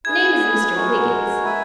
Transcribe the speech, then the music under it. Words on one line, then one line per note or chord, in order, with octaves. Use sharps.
"Name is Mr. Wiggins."
E4 G#4 B4 G#6
G#3 C#4 F#4 A#4
E4 B4 E5 G#5